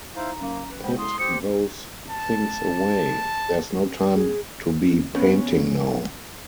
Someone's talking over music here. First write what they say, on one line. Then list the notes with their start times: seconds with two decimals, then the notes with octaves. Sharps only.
Put those things away, there’s no time to be painting now.
0.16 D#4 E4 C5 F5 A#5
0.40 F#3 A#3 C#4
0.71 B4
0.84 C#3 G#3 C5 F#5 G5 B5
0.98 E4 A4 C6 D#6
1.19 G4 C5 C#7
2.11 A5
4.14 G#4
5.14 F3 B3 C#4